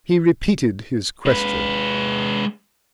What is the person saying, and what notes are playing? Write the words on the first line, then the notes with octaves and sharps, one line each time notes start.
He repeated his question.
G#3 B4